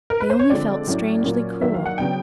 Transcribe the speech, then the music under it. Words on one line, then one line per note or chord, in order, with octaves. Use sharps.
They only felt strangely cool!
A#4
B4
C5
C#5
D3 F3 G#3 C4 D5
A2 F#3 A3 C#4
A#2 F#3 A#3 C#4
D#3 F#3 A#3 D4 E5
F5
F#5
C#3 F#3 B3 D4 G5